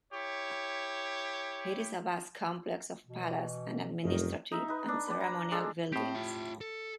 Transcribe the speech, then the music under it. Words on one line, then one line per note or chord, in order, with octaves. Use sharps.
It is a vast complex of palaces and administrative and ceremonial buildings.
E4 G4 C#5
B2 E3
F1 F#2 A#4 D#5
D#4 E5
D#4 B4
D4
B4 D5
A#5
G#3 D4 A4
A2 C4 G4
F4 E5
A4